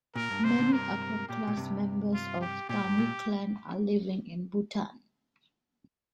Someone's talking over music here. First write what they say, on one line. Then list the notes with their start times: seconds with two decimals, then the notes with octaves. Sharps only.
Many upper class members of Thami clan are living in Bhutan.
0.16 A#2 A#4
0.30 G2
0.44 G2 C3 C5
0.58 A#2 D3
0.72 G2 C3 A#4
1.29 A#2 G4
1.47 A#2
1.56 G2 C3
2.14 F4
2.41 G4
2.69 A#2 G4
2.84 G2
2.98 A#2